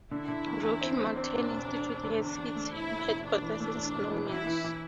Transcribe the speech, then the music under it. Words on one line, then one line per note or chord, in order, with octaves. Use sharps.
Rocky Mountain Institute has its headquarters in Snowmass.
D3 E4
D3
E2
E2
C4
C4
C4 D4
E1
E1
E1
E2
D3
E2 D4
E2
A3
E1 E4
A3
E1
E2 D4
E3
A3
E1
E1
E3
E3 E4
E3
E3